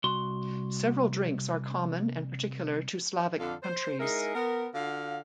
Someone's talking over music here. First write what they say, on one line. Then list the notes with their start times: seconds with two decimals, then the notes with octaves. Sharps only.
Several drinks are common and particular to Slavic countries.
0.04 C2 F#4 C6
3.40 F2 D3 F4 A4 D5 F5
3.63 C5
4.00 G#3 D#4 E4 G#4 A#4
4.35 B3 A#4
4.75 D3 F4 F#4 F5